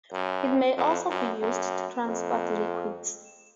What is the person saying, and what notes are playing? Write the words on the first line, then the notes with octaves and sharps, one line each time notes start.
It may also be used to transport liquids.
F#2
F2
F#2
F#2
F2